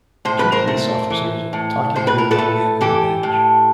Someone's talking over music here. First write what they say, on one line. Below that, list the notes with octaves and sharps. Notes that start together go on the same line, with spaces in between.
Two police officers talking to young man on a bench.
A2 C5
B4
A#4 C5
A3
E3
A2
A2 C5
B4
A#4
A4 B4
A3
E3 G4 A4
A2